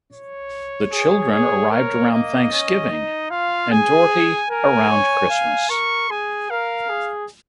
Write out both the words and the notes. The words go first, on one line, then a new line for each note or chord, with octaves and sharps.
The children arrived around Thanksgiving and Doherty around Christmas.
C#5
G#4
G#4 C#5
A#4 C#5
A#3 D#5
C#4
D#4
F4 F5
G#4 G#5
A#4 G#5
C#5
F5
A#4 C#6
G#4 G#5
A#4 F5
G#4